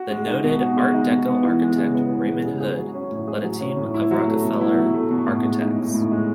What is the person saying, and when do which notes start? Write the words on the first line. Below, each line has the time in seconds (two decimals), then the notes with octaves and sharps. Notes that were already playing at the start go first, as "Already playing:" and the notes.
The noted Art Deco architect Raymond Hood led a team of Rockefeller architects.
Already playing: F#4
0.11 G#3
0.27 D#4
0.44 B2
0.61 F#4
0.77 G#3
0.94 D#4
1.11 B2
1.28 B3
1.43 E3
1.61 G#3
1.78 C#3
1.94 B3
2.11 E3
2.27 G#3
2.45 C#3
2.60 G#4
2.78 F#3
2.95 C#4
3.11 A2
3.27 G#4
3.44 F#3
3.61 C#4
3.77 A2
3.94 E4
4.11 F#3
4.28 A3
4.44 B2
4.61 E4
4.78 F#3
4.94 A3
5.11 B2
5.28 A2
5.45 G#3
5.62 D#4
5.78 A2
5.94 A2
6.11 G#3